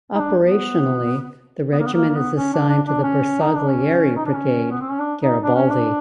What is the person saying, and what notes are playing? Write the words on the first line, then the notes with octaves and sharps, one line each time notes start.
Operationally the regiment is assigned to the Bersaglieri Brigade "Garibaldi".
D#4
D4
B3
B3
A#3
B3
A#3
A#3
B3
C#4
D4
D4
D4
C#4
D#4
D4
C#4
D#4
D4
C#4
B3
C4
C#4
D4
D#4
D4
C#4
D4